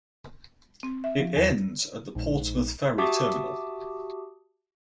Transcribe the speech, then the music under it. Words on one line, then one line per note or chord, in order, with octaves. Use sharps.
It ends at the Portsmouth ferry terminal.
C4
E5
F3
E2
A#1 G#2
F#4 G4 E5 A5 D6 D#6